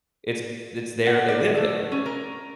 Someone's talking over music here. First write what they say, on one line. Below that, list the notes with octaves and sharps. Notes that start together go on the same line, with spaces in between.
It's it's their they live there.
F#5
D5
A3
C#4
A#4